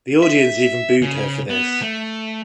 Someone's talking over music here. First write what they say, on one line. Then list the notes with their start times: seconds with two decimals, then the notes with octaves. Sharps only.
The audience even booed her for this.
0.23 E5
1.02 C#3
1.50 B3
1.82 A3